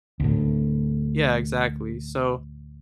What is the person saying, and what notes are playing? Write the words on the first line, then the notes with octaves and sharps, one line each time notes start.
yeah, exactly. So,
D2 A2